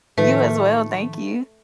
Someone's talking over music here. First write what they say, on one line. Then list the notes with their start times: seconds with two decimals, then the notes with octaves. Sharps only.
You as well, thank you.
0.18 A2 D#3 F3 A3 B4